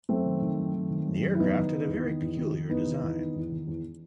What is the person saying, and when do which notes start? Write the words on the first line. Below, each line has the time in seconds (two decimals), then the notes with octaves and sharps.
The aircraft had a very peculiar design.
0.09 F#2 A3 C4
0.26 D#3
0.42 D#3
0.57 F#2
0.74 D#3
0.90 D#3
1.07 F#2
1.23 F#2
1.35 E4
1.39 E2 B3 D#4
1.56 D#3
1.72 D#3
1.88 E2
2.04 D#3
2.21 E2
2.37 D#3
2.53 D#3
2.69 E2 B3 D#4
2.86 D#3
3.02 E2
3.19 D#3
3.35 E2
3.51 D#3
3.67 E2